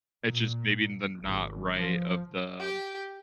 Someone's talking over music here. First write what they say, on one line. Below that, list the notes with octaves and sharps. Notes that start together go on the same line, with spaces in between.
it's just maybe the not right of the,
A#2
G#1
F3
G4 G5